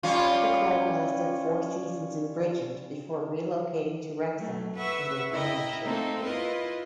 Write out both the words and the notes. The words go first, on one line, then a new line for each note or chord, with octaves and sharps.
The club lasted four seasons in Bridgend before relocating to Wrexham under new ownership.
G3 C#4 F4
F#3 A3
B4 E5 F#5 C#6
E4 A#4 D#5 E5 G5
A3 A#3 C4 D#4 A4
E4 F4 A#4 B4 D#5